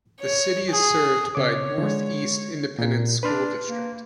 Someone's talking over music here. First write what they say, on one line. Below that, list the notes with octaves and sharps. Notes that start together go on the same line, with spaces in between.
The city is served by North East Independent School District.
C#5
G#4
C#3 C#5 D6
D3 G#3
A#2
D4 B4 C6 F6
A#3